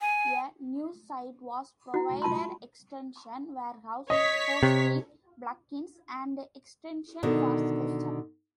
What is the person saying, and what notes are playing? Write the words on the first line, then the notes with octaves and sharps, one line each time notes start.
A new site was provided, Extension Warehouse, hosting plugins and extensions for Sketchup.
G#5
E4 F#4
F4 A5 B5 C6
C#5 D#5 B6
C3
B2 D3 D#3